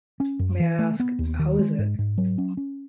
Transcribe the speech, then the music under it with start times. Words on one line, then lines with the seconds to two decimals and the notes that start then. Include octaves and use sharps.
May I ask — How is it?
0.20 C#4
0.39 F#2
0.60 E3
0.79 A3
1.00 B3
1.19 D#2
1.39 D#3
1.59 G#3
1.78 G#2
1.99 G#2
2.18 F#3
2.38 C#4
2.57 C#4